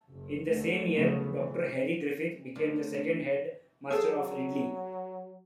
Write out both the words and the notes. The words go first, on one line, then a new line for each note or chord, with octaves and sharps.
In the same year, Doctor Harry Griffith became the second headmaster of Ridley.
F#1
D#2 D3 A3
C#3 F3 F#3 A3 B3
A1 E3
D2
F#3 G#4 A4